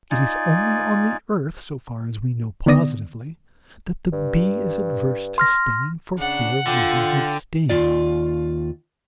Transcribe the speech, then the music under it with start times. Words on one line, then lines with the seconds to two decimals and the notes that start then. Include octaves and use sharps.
It is only on the earth, so far as we know positively, that the bee is averse to stinging, for fear of losing his sting.
0.11 D#4 F4 D5 G#5
2.66 D3 D#3 B3 D5 D#6 A#6
4.12 G2
5.38 C6 F6 A#6
6.19 C#3 D4 F#5
6.67 D3 F4 G5
7.70 D#2 F4 D5